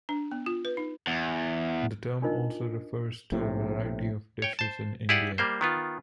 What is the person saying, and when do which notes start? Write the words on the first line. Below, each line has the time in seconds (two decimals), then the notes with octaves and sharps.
The term also refers to a variety of dishes in India.
0.09 D4
0.32 B3
0.46 F4
0.65 B4
0.77 D#4
1.07 E2
2.22 D4 D#4 F4 A#4 C5 D#5
3.32 A#1 A2 C3
4.42 C#5 G5
4.59 C5 A5
5.09 E4 G4 G#4 D5 F#5
5.38 G3 A#3 C5
5.61 D#3 B3 F4